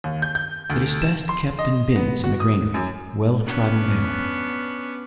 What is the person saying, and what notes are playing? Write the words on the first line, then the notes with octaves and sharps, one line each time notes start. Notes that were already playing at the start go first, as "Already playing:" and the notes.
It is best kept in bins in a granary, well trodden down.
D#2
G6
G6
D2
E7
C6
D#5
B3
F#4
D#6
F#2
B3 C#4 D4